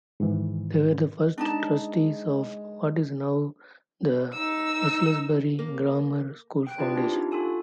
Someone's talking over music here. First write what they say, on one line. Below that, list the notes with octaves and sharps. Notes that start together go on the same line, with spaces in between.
They were the first trustees of what is now the Aylesbury Grammar School Foundation.
G#2 D#3 E3
G#3 D4 D#4 A5
D#4 E6
A#3
G5 F#6 D7
D4 E4 F4 G#4 B4 D5
C4 D4 E4 F4 G4
D4 D#4 G4
F4 F#4 A4 G#5 A5